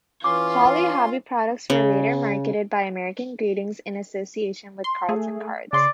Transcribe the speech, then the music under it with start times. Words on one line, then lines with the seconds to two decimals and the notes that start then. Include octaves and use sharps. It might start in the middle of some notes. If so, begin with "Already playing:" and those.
Holly Hobbie products were later marketed by American Greetings in association with Carlton Cards.
0.24 E3 C#4 F4 C6 D6
1.70 C#3
4.84 C6
5.09 A3 G#4
5.73 C#3 D5 C6